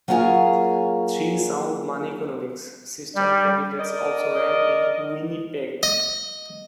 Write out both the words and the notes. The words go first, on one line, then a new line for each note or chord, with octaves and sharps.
Three Sound Money Economics System candidates also ran in Winnipeg.
F#3 A#3 C#4 F4 G#4 A#4
G3
A#4 D5 D#5
D#5